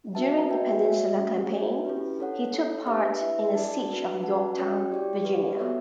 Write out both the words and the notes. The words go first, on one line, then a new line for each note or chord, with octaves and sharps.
During the Peninsula Campaign, he took part in the siege of Yorktown, Virginia.
D4 F#4 B4 E5 A5
F#4 B4 E5 G5
F#4 C#5 E5
A3 C#4 F#4
F#4 C#5 E5
C#4 E4 G4 B4
D4 A4 C#5 F#5
D4 A4 C#5
D4 G4 B4 E5
E4 B4 E5
D4 A4 D5 A5
D4 F#4 B4
C#4 F#4 B4 F#5 A5
C#4 F#4 C#5 G5
E4 G4 D5 G5
G4 B4 D5
B3 F#4 A4 C#5 E5